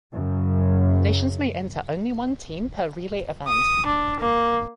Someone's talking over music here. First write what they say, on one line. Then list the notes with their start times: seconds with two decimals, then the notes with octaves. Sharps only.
Nations may enter only one team per relay event.
0.11 F#2 C#3
3.47 D#6
3.86 D4
4.20 A#3